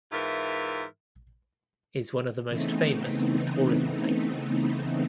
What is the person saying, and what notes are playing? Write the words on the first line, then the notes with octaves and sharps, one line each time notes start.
Is one of the most famous of tourism places.
G#2 E3 F4 A#4 E5
C#3 E3 A3 B3 C4 D#4